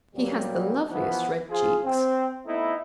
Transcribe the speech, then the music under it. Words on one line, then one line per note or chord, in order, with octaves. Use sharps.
He has the loveliest red cheeks.
D2 A#2 F#3 G3
E3 F3 B3
F3 F4 G#4
C4
A3 B3 C4 D#4 E4